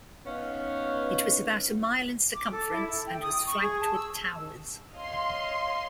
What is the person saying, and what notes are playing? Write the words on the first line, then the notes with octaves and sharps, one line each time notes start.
It was about a mile in circumference and was flanked with towers.
B3 C#4 D#4 F5
D6
A4
E4
A4
G5
D#6
C#6
G#4
A5
E6
C#5 D#5 F5 C6